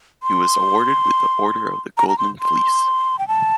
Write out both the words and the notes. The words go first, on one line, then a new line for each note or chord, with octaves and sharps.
He was awarded with the Order of the Golden Fleece.
C6
A#5
A#5
C6
C6
G5
A5